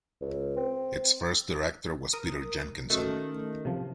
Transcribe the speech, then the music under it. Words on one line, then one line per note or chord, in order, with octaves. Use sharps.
Its first Director was Peter Jenkinson.
C#2
C4
A#4 D#6
D#3 A3 C#4 F#4 A4
C3 F3